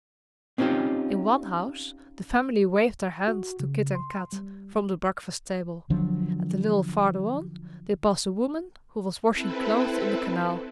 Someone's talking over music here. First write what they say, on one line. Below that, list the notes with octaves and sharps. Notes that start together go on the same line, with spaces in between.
In one house the family waved their hands to Kit and Kat from the breakfast table, and a little farther on they passed a woman who was washing clothes in the canal.
C4 C#4 D#4 F4 G4
F#4
C#3
C6
G3
D3 F3 F#3 D4
C4 E4 A4 B4